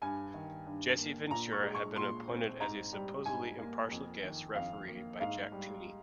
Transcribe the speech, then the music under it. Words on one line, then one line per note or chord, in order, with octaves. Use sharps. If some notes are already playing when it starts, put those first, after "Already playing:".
Jesse Ventura had been appointed as a supposedly impartial guest referee by Jack Tunney.
G2 G#5
D#3
G2
A#3
A#2 A#5
C#6
G#3
C#6
A#2 C6
C4
G#2 A#5
G3
G#2 G#5
A#3
F2
D#3
F2 F5
A#3
G#2 F5
G3